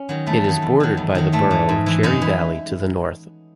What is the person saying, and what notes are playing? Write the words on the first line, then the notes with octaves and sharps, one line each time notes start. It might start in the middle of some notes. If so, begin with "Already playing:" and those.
It is bordered by the borough of Cherry Valley to the north.
Already playing: C#4
D#3 F#3
E2 A3
D#3 F#3
E2
D#3 F#3
E2
D#3 F#3
G#2 A3
E3
G#2
E3
F#2 D#4
E3